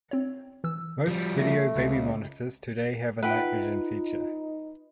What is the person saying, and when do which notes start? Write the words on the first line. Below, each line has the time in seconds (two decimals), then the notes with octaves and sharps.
Most video baby monitors today have a night vision feature.
0.11 C4 C#5
0.64 E3 E6
1.08 F3 G3
1.38 A3 A#6
1.75 C#2
3.23 D#4 F4 B4 E5 F#5 G5